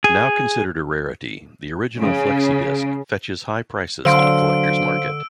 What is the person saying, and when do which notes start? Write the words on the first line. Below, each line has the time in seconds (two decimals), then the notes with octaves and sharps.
Now considered a rarity, the original flexi-disc fetches high prices on the collectors' market.
0.04 G#4
1.99 C#3
4.05 D3 F#3 D4 C5 F5 C6 E6 D7